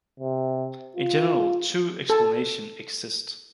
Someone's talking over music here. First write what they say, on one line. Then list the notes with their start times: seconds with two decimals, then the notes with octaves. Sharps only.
In general two explanation exist.
0.20 C3
0.97 F4
2.10 A4